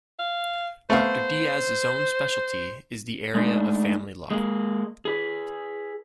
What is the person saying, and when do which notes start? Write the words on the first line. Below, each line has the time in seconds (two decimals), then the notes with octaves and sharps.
Doctor Dias' own specialty is the area of family law.
0.19 F5
0.90 A3 B3 C5 F5
3.35 G#3 A3 D4 D#4
4.31 G#3 A#3
5.05 G#4 B4